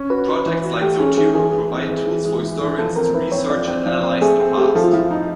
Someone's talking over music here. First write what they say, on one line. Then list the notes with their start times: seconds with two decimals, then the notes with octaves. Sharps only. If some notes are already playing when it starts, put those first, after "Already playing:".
Projects like Zotero provide tools for historians to research and analyze the past.
Already playing: C#4
0.10 F#4 B4
0.28 F#4
0.46 E3
0.64 F#4
0.82 A3 G4
0.99 C#4 G#4
1.17 E3 G#4
1.35 E3 G#4
1.54 E3
1.71 C4
1.89 E3
2.07 E3
2.25 G#3
2.43 E3
2.61 E3
2.78 F3 A4
2.96 C4 A#4
3.14 E4 B4
3.32 C4 C#5
3.50 F3 D5
3.68 C4
3.86 F3
4.03 C4
4.21 A3 G#4
4.40 C4
4.57 A3 G4
4.66 G#4
4.75 F3 A4
4.84 F4
4.93 F3 E4
5.11 D#4